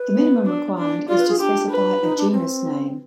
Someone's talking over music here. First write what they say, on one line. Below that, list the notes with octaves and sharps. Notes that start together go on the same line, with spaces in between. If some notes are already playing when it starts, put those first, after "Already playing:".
The minimum requirement is to specify a genus name.
Already playing: B4
B3
D4
D4
F4 D5
B4
G#4
D4 G4
B4
D#4
D4
C4